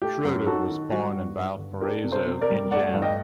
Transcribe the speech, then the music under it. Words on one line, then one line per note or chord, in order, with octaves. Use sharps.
Schroeder was born in Valparaiso, Indiana.
A3 G4
F#2
D#4 F#4 A4
D#3
G3 F#4
G2
G2
D3
D4 G4 A#4
C3
A4 C5
C3
A#4 D5
G3
A3 D5 F#5
G2
D#5 G5